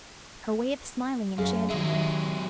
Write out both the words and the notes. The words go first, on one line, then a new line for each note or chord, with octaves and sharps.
Her way of smiling enchanted him.
F#2 G#4 F5
D#3 F#3 G#3 E5